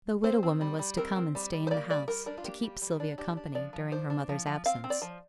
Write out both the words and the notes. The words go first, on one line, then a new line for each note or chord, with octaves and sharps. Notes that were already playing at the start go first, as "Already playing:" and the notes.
The widow-woman was to come and stay in the house, to keep Sylvia company, during her mother's absence.
C4 C5
C4
G3
G3
C4 A#4
C4
G3
G3
C5
A#3 D5
G3 D5
G3 A#4
D4 A#4
F4
A#3 G4
G3
G3
D4
D4 G4
D4
F3 D5
F3
D4 C5
D4
F3
F3
C4 F5
C4
D5
F3